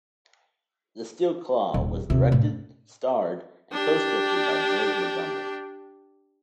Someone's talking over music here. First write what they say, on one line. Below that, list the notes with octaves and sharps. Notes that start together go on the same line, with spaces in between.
"The Steel Claw" was directed, starred and co-scripted by George Montgomery.
D#1
D#2 C3
A2
D4 G4